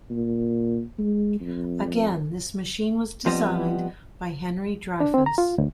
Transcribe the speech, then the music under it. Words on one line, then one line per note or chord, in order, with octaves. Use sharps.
Again, this machine was designed by Henry Dreyfuss.
A#2
G#3
F2
F3 G3 B3 C4 D#5
D4
C4
A#5
F4
D2